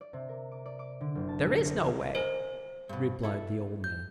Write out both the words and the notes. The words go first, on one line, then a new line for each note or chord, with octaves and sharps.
"There is no way," replied the old man.
D5
C3
A#4
D6
D5
D6
D3
F#1
A5
A#2
A#1
E3
A#4 C5 D#5 G#5
G2 B2
E4 A4
G6